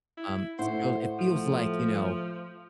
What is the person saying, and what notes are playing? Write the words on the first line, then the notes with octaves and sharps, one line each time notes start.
um, it's feel it feels like, you know,
E4
A2 C5 F#5
F3 A3